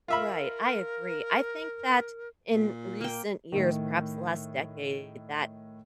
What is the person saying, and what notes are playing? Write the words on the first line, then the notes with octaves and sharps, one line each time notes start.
Right, I agree, I think that in recent years- perhaps the last decade- that
F4 A#4 E5 B5
A#2
A#3 G5
A2 D#3